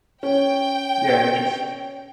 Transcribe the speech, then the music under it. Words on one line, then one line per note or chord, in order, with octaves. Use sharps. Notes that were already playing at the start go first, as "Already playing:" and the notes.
Yeah, you just
C#4 G5